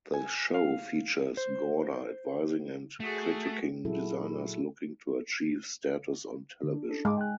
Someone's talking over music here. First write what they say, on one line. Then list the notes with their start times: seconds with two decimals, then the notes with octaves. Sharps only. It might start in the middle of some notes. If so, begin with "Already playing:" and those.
The show features Gorder advising and critiquing designers looking to achieve status on television.
0.14 G#5
0.54 F5
1.37 C5
3.00 A3 F#4 G#4
3.85 A#2 F#3 E4 F#4 G#4 A4
6.63 D3
6.75 D4
6.89 D4 A4
7.05 G#2 G#3 D6
7.17 G5 G#5 F#6